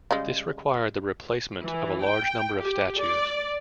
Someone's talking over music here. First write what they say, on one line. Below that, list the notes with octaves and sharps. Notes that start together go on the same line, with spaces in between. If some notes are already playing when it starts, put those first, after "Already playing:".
This required the replacement of a large number of statues.
C#3 G3 G#3
E3
G5
G4
D5